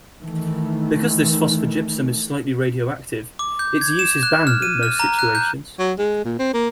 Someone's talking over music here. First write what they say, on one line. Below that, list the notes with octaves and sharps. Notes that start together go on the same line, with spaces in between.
Because this phosphogypsum is slightly radioactive, its use is banned in most situations.
D#3 E3 A3
D6
G6
G#6
E7
F#6
F6
D#7
F6
A#5
F#6
G6
F#3
G#3
A#2
C4
A#3